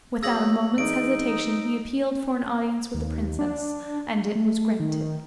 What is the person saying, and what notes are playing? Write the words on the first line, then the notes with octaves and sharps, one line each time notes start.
Without a moment's hesitation he appealed for an audience with the princess, and it was granted.
F#3 A#3 G#4 E6 A#6 F#7
E2 D#4 D7
D#2
D4
A3
D#3